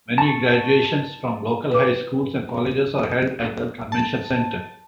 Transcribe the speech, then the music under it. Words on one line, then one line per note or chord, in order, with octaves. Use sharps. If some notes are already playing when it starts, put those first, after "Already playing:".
Many graduations from local high schools and colleges are held at the convention center.
A5 C#6
B4 D6
A5